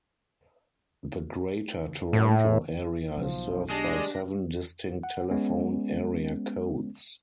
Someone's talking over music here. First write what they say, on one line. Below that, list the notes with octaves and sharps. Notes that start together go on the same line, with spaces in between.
The Greater Toronto Area is served by seven distinct telephone area codes.
A2
B1 F3
G#3 D4 G4 A#6
F#5
G#3 B3 C#4